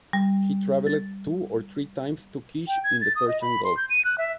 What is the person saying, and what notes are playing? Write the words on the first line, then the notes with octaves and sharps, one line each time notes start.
He travelled two or three times to Kish in the Persian Gulf.
G3
A6
G5
G#6
A6
D#6
D#5
B5
C6
G6
D#7
F#6
E5